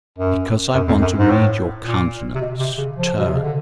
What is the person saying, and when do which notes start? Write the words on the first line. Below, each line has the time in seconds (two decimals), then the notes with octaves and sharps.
"Because I want to read your countenance--turn!"
0.18 F#2
0.74 F#2
0.88 F2
1.01 F#2
1.19 G#2
1.30 A2
1.85 A#2
2.35 C3
2.41 B2
2.59 C3
2.78 C#3
2.96 F3
3.18 B2
3.26 C3
3.35 C#3
3.43 D3